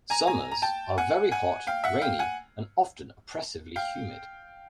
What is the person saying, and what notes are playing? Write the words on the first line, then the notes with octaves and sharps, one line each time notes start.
Summers are very hot, rainy and often oppressively humid.
G#5 A#5
G#5 A#5
A#5
G5 A5
F#5 G#5
F#5 G#5
F5 G5
E5 F#5
F5 G5
F#5 G#5
F5 G5